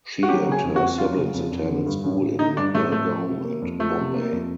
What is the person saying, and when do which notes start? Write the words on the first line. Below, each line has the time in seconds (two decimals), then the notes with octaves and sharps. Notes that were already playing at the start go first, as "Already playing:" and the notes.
She and her siblings attended school in Belgaum and Bombay.
0.23 F#4
0.29 F#3 G4
0.46 C#3
0.52 G#4
0.63 F2
0.76 F#4
0.81 F2
0.98 F#3 F4
1.16 C#3
1.34 F2
1.51 F2
1.69 D3
1.86 G2
2.04 A1
2.21 A1
2.39 D3 D#4
2.56 G2 D4
2.74 A1 A3
2.92 A1 A3
3.09 F3
3.27 C3
3.44 A#3
3.62 F2
3.79 F3 A3
3.97 C3
4.15 A#3
4.32 F2